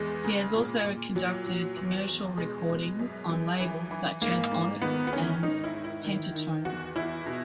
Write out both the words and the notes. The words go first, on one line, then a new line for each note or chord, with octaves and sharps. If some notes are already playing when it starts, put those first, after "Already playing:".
He has also conducted commercial recordings on labels such as Onyx and Pentatone.
Already playing: E2 G#3
C#3
A#2
A#2
A#2 F#3
A#2
E2
E2
B2 G#3
B2
F#2
F#2
E3
E3
G#2 A#3
G#2
D#3 B3
B3
D#3 C#4
G#2 D#4
E4
G#2
E4
D#3
D#3
E2 F#4
E2 E4
B2